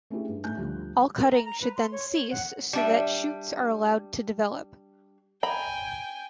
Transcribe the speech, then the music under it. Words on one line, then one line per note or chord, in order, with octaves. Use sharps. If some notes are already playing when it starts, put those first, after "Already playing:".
All cutting should then cease so that shoots are allowed to develop.
A3 C#4 D4 E4 G4 G#4
G2
A2 A3 D#4 G#5 F#6 G6
D2 F3 G3
A#4
A#5
A#5
B4
C6
C#5
C#5
F#5
G3 D4 E5
G5 G#5 A#5 B5